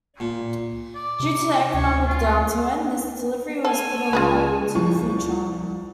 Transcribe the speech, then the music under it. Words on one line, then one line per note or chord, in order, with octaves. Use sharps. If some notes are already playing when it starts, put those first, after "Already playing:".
Due to the economic downturn this delivery was put on hold until the future.
A#2
D5
C3
D2 C#5
F4
A4 C#5 G#5 A5
C#2 F4 G#4 B4
C2 F3 C#6